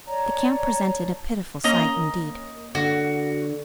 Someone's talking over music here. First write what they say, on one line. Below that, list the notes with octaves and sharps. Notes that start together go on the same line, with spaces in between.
The camp presented a pitiful sight, indeed.
C#5 D5 A5 A#5
A#3 C#4 D#5 A#5
D3 F#4